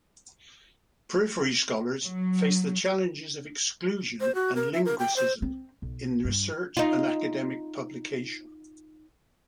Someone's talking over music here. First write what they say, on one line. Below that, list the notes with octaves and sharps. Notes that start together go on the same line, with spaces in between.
Periphery scholars face the challenges of exclusion and linguicism in research and academic publication.
F#3
C5
F#4
A#4
E5
A#4
G5
C5
C4
B1
G2
D#4 F4